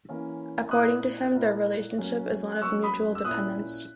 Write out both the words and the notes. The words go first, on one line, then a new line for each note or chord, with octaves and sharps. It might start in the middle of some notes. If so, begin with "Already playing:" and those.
According to him, their relationship is one of mutual dependence.
E3 A#3 C#4
A#2 A#3 E4 D#6 F#6
A#2 A#3 E4
F#3 A#3 C#4
F#6
F#3 A#3 C#4 C#6 E6
B5 D#6
E6
A#2 A#3 C#4 E4 D#6 F#6